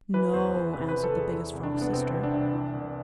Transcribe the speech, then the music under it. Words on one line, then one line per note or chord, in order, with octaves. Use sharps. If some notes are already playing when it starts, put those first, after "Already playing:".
"No," answered the Biggest Frog's Sister.
E3 B4
E2 C5
E2
C3 B4
B4
E3
A4
E2
G#4
E3 E4
C2
D4
C2
B3
C3 C4
E3
D4
C2
E3
C2